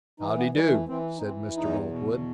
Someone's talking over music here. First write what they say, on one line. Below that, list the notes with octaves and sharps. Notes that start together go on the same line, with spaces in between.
"How dee do," said Mr. Boltwood.
E3 D#4
B3
E3 G3
A3
E3 C4
D#4
E3 C4
E2 D#4
B2